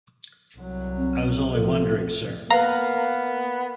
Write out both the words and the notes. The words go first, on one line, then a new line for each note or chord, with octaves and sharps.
I was only wondering sir.
C2 F#3
C4
A2 F3 A4
A#3 B3 B4 F5 A#5